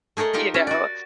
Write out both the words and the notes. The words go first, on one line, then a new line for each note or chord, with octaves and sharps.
you know.
A3 G#4 A#4 C#5 D#5
D#4 F4 G4 A#4
C#4
F#4 D5